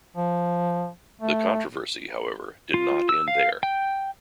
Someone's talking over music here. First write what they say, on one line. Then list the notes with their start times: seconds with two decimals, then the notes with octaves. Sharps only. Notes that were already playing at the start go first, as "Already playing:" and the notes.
The controversy, however, did not end there.
0.17 F3
1.22 A3
2.74 F4
3.09 E6
3.28 F5
3.63 G5